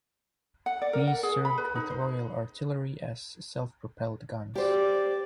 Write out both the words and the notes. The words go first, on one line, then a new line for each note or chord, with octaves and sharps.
These served with Royal Artillery as self-propelled guns.
F#5
D5
A#4
F#5
G#4
B5
B4
D#4
C5
G4 C5 D5